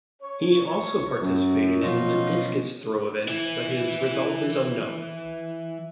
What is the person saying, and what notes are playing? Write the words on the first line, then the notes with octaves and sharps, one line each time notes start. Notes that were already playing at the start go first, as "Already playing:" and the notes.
He also participated in the discus throw event but his result is unknown.
C#5
F#2
B2 F3 F#3 C#4 D#4 F4
E3 E4